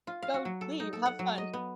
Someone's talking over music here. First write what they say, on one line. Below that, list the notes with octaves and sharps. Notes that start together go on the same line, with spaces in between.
go, leave, have fun."
F4
F5
F#4
F#3
A4
D#4
A4
F#5
F#3
D#5
B3